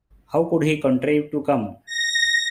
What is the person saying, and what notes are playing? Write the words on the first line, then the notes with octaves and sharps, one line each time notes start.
How could he contrive to come?
A#6